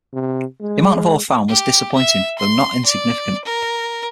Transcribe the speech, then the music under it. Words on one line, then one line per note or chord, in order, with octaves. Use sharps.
The amount of ore found was disappointing, though not insignificant.
C3
G#3
G4
E5
C6
D5
A#4